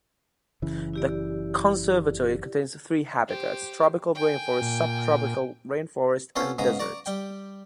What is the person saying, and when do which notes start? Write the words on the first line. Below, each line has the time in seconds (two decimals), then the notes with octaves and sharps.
The conservatory contains three habitats: tropical rainforest, subtropical rainforest, and desert.
0.62 F#1 C#3 E3
0.94 E4 G4 D5
3.28 G4 C5
4.15 G5 G#5
4.62 A#2
6.36 B3 C#4 F4 A4 C5 C#5
6.58 G#2 C#3 B3 A#5 D#6
6.79 D5 A#5 C#6 D6
7.06 G3 G5